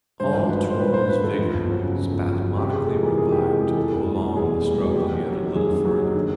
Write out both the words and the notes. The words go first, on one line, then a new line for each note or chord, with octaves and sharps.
All Troy's vigour spasmodically revived to prolong the struggle yet a little further.
G2 C5
G#1
G#1 B4
D3
C5
G2 B4
G#1 C5
G#1 B4
D3 A4
F2
G1
F#3
C#3
F2
G1
F#3
C#3
C3 G4
F2 G#4
G#3 A4
E3 A#4
C3 G#4
F2 G4
G#3 G4
E3 G#4
E2 A4
F1
G3
B2
E2 G#4
F1
G3
B2
F#2 G4
F#1
F#3
D#3
F#2 G#4
F#1
F#3
D#3
D3